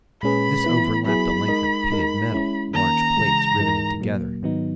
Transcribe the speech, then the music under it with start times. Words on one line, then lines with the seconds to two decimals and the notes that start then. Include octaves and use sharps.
This overlapped a length of pitted metal, large plates riveted together.
0.23 A#2 G#3 C#4 G#4 B4 B5
0.64 E3 B3 E4 B4
1.06 F#3 B3 E4 G#4 B5
1.48 G#3 D#4 A#4 D#5
1.91 G#3 D#4 A#4
2.32 G#3 C#4 E4
2.74 D#3 A#3 C#4 A#5
3.17 C#3 E3 G#3
3.58 G#2 E3 G#3 D#4 A#4
4.00 A#2 F#3 A#3
4.42 G#2 D#3 F#3 B3 D#4